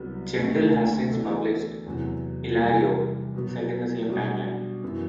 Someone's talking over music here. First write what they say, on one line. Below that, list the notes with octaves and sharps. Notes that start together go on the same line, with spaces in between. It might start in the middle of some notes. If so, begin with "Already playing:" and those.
Gentle has since published "Ilario", set in the same timeline.
Already playing: C2 C3 F#3 B3
D2 D3 A3
E3 B3 D4 F#4 A4
E2 C3 F#3 B3 F#4
C3 E3 G3
B2 F#3 B3
B2 G3 D4
F#2 E3 B3 F#4